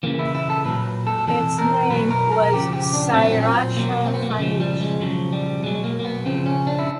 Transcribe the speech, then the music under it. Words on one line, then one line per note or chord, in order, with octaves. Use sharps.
Its name was "Si Racha Phanich".
C#3 E3 A#3
E4
E4
A4
A#2 F#3 B4
A4
C3 E3 A4
A#4
B2 F#3 B4
A#4
A#4
C#3 F3 G4
G4
D4
A#2 F#3 C4
B3
C4
C#4
C4
B2 F#3 A#3
C4
B3
A#3
A3
C#3 F3 G#3
G3
G#3
C#3 F3 F#3
G3
B2 F#3 G#3
A#3
A#3
B3
C#3 F3 C4
C#4
D4
E4